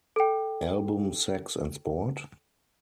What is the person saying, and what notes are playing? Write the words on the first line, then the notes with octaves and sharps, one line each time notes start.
Album Sex and Sport?
A4 G5